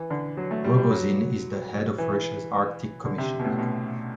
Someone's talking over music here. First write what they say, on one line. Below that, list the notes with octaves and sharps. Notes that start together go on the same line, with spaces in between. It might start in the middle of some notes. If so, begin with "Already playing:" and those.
Rogozin is the head of Russia's Arctic Commission.
Already playing: E3
D3
F#3
A3
G3
G3
F#3
E3
D3
C3
B2
A2
B2